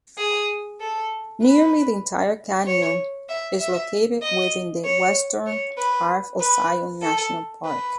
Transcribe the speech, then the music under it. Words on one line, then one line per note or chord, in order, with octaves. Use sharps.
Nearly the entire canyon is located within the western half of Zion National Park.
G#4
A4
B4
C#5
E5
E5
D#5
C#5
C#5
B4
B4
A4
B4